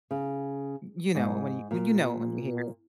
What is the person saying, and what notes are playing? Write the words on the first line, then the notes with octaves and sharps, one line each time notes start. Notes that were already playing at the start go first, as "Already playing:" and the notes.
You know, when you well, you know it when you hear it.
C#3
G#2
A#2